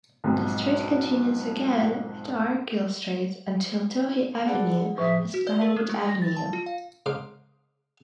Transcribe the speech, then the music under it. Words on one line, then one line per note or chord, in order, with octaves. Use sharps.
The street continues again at Argyle Street until Touhy Avenue as Glenwood Avenue.
B1 F2 G#2
B3 G#4 A4 D5 F#5
A1 F3 E5 D#6
F#4
D5
A#4
A#3
G#3
A#6
A6
A5
F4
F5
G#2 C#3 D#4 C5 F5 D6